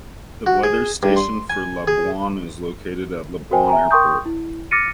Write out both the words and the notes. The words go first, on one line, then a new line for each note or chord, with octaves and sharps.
The weather station for Labuan is located at Labuan Airport.
F#4
G#4
G2
C6
G#5
G#4
F#4 A#4 C5 G5 G#5
E5 G#5 A#5
A#4 G5 C6 C#6 D#6 G6
E4
D6 F6 A6 A#6 C#7 D#7